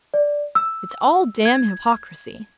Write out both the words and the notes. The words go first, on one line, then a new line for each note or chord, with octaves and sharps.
It's all damned hypocrisy.
D5
E6
G#6